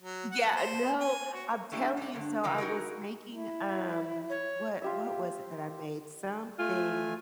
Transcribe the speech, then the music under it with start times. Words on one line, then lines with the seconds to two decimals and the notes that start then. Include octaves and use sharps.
Yeah, no, I'm telling you, so, I was making, um what what was it that I made? Something
0.02 F#3
0.32 F#5
0.56 C5
1.00 G#5
1.34 F#4
1.72 A3 D4 E4 G4
1.97 G#2 D4
2.13 G2 D3
2.43 C#3 E3 G3 A#3 B4
2.58 D#4 F#4 G#4 A#4
3.30 E4
4.30 C#5
4.82 F4 G4 E5
6.59 A3 F4 G#5